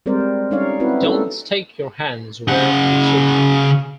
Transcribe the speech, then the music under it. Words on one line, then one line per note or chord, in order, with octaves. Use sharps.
Don't stick your hands where you shouldn't.
G3 G#3 C4 A#4 C5 D5
G#3
G3 C#4 D#4 C#5 D5 F5
C4 E4 F#4 B4
A#3 C#4 D#4 E4 A4
C#3 F#5